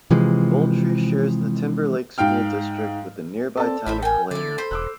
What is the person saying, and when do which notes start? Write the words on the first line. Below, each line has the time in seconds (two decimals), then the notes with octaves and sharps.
Goltry shares the Timberlake school district with the nearby town of Helena.
0.11 C3 E3 F3 G#3
2.18 G#2 F5 G5 F6
3.57 C4 A4 D5 A5
3.86 A1 E4 C5 E5 B5
4.02 A#4 G5 G#5
4.31 D3 E4 A4 D5
4.58 C5 B5 C7
4.71 E1 D6 E6 F#6